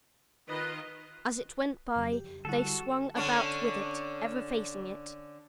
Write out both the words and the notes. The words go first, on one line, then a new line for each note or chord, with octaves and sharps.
As it went by they swung about with it; ever facing it.
D#3 F4 B4 D#5
F2 C#3 F#3
G4
D3 G3 E4 F#4 A4
D3 C#4 D4